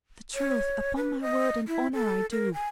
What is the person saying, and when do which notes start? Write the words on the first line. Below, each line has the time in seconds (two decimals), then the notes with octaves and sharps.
'The truth, upon my word and honour I do.
0.35 C#5
0.97 B4
1.21 D#5
1.68 E4
1.93 A4
2.31 A#4
2.54 G#5